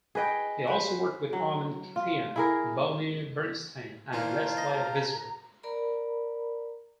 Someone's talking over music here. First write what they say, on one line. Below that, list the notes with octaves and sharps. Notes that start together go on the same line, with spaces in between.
He also worked with Armen Keteyian, Bonnie Bernstein and Lesley Visser.
G#4 B4 D#5 G5
B4 C5
F#3
F4
E4 G#4 A#4
A#2 D#3 E3 F4 A#4 C5 A5 A#5
D#5
A#4 D5 A#5 B5